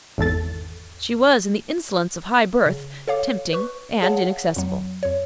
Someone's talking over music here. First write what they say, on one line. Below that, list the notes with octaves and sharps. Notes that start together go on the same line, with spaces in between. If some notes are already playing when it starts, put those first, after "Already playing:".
She was, in the insolence of high birth, tempting and inaccessible.
G#1 E2 A4 A6
C#3
A4 C#5 F5 D6
B4 C#6
G#4 C#5 F5 F#5 A5
F2 F#3
F2 C#5